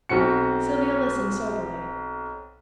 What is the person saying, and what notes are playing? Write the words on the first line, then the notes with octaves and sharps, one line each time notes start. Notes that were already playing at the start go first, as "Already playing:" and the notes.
Sylvia listened soberly.
B1 C4 F#4 C#7